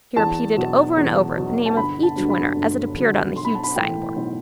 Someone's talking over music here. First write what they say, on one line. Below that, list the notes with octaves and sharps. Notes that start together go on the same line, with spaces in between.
He repeated over and over, the name of each winner as it appeared on the huge signboard.
E2 A5
B2 F#3
E2
B2 F#3
A5
G1 B5
A5
G2 D3 F#3
B5
G1
G2 D3 F#3
B1 C6
B5
A5
B5
A2 E3 A3 G5
B1